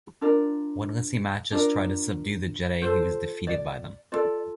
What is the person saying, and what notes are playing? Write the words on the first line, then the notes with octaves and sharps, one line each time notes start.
When Lysimachus tried to subdue the Getae he was defeated by them.
D4 F4 A#4 D5
D4 F4 A#4 D5
F4 A4 C5
D5
F4 A4 D5